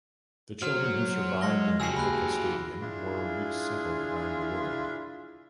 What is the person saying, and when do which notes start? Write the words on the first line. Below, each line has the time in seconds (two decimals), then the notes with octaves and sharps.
The children who survived in the oca stadium were resettled around the world.
0.62 F#3 C5 F6
1.41 G#3 C6 A#6 G7
1.80 C#3 F#4 G#4 E6 A#6 C7
1.96 D#2 B5 F#6
2.82 D4 E4 F4 G#4